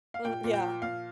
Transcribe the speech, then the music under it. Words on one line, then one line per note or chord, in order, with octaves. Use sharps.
Mm, yeah.
F5
A#2 G5
A#2
G5
F3
A#2 F5